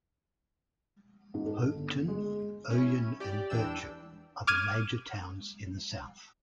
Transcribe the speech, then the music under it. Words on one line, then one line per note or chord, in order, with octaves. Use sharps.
Hopetoun, Ouyen and Birchip are the major towns in the south.
G#2
A4
G1
G#3
C#4 E4
G4 D5
E2 E3 D4 G5 E6 E7
D6 F6 G#6 D#7